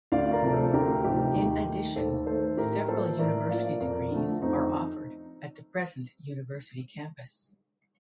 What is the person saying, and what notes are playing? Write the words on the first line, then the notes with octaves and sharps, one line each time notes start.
In addition, several university degrees are offered at the present university campus.
D2 D5 F5
A#4 D5
C3 F3 A3
A4 C5
D2 G4 A#4
C3 F3 A3 D#4 G4
D#2
D#3 A3
D#2 A4 C5
D#3 A3 A4 C5
A2 G4 A#4
F3 A#3 A4 C5
A2 A#4 D5
F3 A#3 D5 F5
F2 A#4 D5
D3 F3 A3
F2 C4 D#4